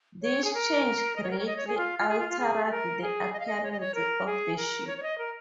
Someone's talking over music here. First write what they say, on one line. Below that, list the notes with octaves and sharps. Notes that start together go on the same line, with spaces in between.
This change greatly altered the appearance of the ship.
C#5
G#4
A#4
D#5
C#5
A#4
C#5
D#5
C#5
G#4
F4
F4
G#4
F4
F4
G#4
G#4
A#4
G#4
D#5
F5
D#5
C#5
D#5
C#5
A#4
G#4
A#4
C#5
C#5
D#5
A#4